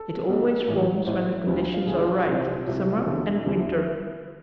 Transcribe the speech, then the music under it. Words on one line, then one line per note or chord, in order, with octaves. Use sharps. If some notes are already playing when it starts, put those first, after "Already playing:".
It always forms when the conditions are right, summer and winter.
Already playing: A4
B1 B2
A1 A2 E3
A1 A2 E3 C5
D2 D3 F3 B4
F4
D2 D3 F3 G#4
F4
C2 C3 F3 C5
C2 C3 F3
F4
E1 E2 D3 F3 E4
E1 E2 D3 F3
E4
E4